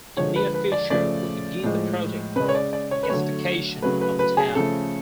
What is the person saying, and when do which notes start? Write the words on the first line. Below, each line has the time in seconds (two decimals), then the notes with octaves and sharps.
In near future will begin the project for gasification of the town.
0.17 D3 F3 G#3 C#5
0.36 B4
0.54 B4
0.72 D5
0.90 C#3 F3 A3 D5
1.63 A2 F3 G#3
2.36 C#3 G#3 B4
2.49 C#5
2.55 D5
2.73 D5
2.91 C#5
3.03 B4
3.09 D3 F#3 A3 C#5
3.82 C#3 F#3 A3 B4
4.01 B4
4.19 B4
4.37 G#4
4.55 C#3 F3 A3 A4